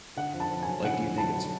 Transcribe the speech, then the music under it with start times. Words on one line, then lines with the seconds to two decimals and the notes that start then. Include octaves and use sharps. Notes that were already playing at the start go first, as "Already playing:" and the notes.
Like, do you think it's
0.16 D3 F#5
0.33 F2
0.40 A5
0.50 F2
0.63 F#3 G#5
0.84 D3 F#5
1.01 F2
1.18 F2 A5
1.36 F#3